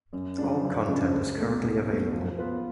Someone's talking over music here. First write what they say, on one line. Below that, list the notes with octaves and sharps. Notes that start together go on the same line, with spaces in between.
All content is currently available.
F#2
C#3 F3 G#3 D4
F#2
C#3 F3 G#3 D4
C#2
B2 A3
C#2
B2 A3
F3
B3 F4 B4